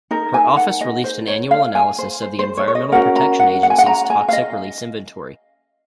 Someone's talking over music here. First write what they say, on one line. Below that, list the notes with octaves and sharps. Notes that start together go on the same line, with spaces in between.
Her office released an annual analysis of the Environmental Protection Agency's Toxic Release Inventory.
D#4 A#4
G#5
F#5
D#5
C5
C#5
F5
G#5
C5
C5
C5
C#5
C#5
D#5
C#4 F#4 A#4 F#5
A#5
F#5
F#5
G#5
F#5
A#5
G#5
F5
D#5